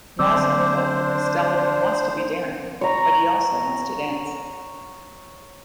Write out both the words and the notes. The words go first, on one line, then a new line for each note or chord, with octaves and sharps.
Maslin felt that Costello "wants to be daring, but he also wants to dance".
D3 F#3 C4 D4 C5 D5 D6 E6
C#5 A#5